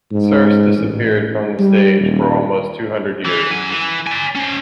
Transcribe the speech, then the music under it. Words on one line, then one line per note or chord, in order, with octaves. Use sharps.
"Serse" disappeared from the stage for almost two hundred years.
G#2
A1
G3
D#1
E3
F#2 G#5
E3
D5 G#5
C#4 C5